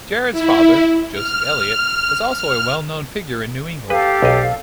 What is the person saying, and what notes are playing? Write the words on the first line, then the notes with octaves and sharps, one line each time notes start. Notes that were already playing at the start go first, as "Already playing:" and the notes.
Jared's father, Joseph Eliot, was also a well-known figure in New England.
E4
F6
F6
G4 A4 B4 F5
B1 D#5